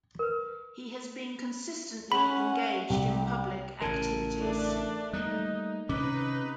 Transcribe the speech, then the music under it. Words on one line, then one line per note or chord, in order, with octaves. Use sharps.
He has been consistently engaged in public activities.
A#4 B4
C#4 F#5 B5
C2 G4
A1 C#3 A#4 A5 G#6
A3 D4
G3 A3 A#3 D#4 F#6
C3 D#3 C#4 D#4 B4 D6